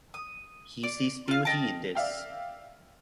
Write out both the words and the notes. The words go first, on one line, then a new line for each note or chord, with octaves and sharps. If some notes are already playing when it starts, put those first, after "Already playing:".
He sees beauty in this.
D#6
D5
F4 F5
D#5 G5 A5
D5 E5 F5 G5